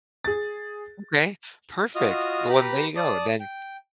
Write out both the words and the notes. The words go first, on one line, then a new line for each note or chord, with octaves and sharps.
Okay. Perfect. The one there you go. Then
G#4 A6
F4 F#4 D#5 D#6 F6
G4 B4 A#5 B5
D5 A5 D#6
G5